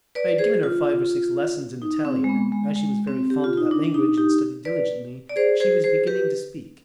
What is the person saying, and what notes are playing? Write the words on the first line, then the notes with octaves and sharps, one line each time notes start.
I had given her five or six lessons in Italian, and as she was very fond of that language and studied diligently she was beginning to speak.
B4 D5
G#4 C5
F4
D#4
C4
G#3
B3
G#3
G#3
C4
G4
F4
D#4
D4
D4
D#4
D#4 G4
B4 D5
D5
G#4 C5
G#4 C5
G#4 C5
G4 B4